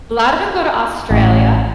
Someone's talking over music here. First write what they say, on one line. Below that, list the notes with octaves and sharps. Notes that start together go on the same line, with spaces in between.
A lot of 'em go to Australia.
A1